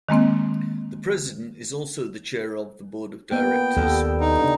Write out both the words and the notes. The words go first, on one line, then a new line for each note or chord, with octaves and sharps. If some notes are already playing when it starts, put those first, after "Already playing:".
The President is also the chair of the board of directors.
D#3 G#3 A#3 C4
A#2 A#3 B3 G5
D#2 G3 B3 A4
D3 D#4
C#3 D4